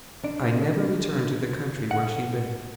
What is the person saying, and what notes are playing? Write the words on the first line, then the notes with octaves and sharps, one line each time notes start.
"I never returned to the country where she lived."
D4
F#5